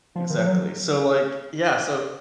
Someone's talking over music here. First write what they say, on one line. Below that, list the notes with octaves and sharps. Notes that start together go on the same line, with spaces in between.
Exactly so like yeah, so
F3
D#3
F3
F#3